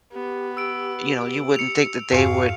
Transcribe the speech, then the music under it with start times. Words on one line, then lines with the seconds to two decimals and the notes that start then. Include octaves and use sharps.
you know, you wouldn't think that they would
0.13 B3 G4
0.57 E6 D7
1.56 C#7 F7
2.12 F2 G#2 F#4 F5 G#5